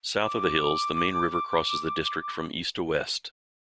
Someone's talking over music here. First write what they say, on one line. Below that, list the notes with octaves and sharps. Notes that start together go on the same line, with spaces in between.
South of the hills the Main river crosses the district from east to west.
D6